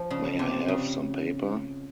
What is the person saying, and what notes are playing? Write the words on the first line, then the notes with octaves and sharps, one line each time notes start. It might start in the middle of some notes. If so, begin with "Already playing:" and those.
May I have some paper?
Already playing: F3
C#3
C3
C#3